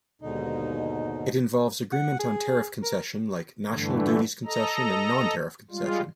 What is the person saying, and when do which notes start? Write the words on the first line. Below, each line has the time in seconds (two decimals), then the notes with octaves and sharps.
It involves agreement on tariff concession like national duties concession and non-tariff concession.
0.22 D#2 G#2 B2 D3 D#4
1.92 F#5
2.19 G#4
2.83 A#4
3.68 G2 D3 E3 A3
4.45 A4 D#5 A#5
5.71 G3 G#3 F4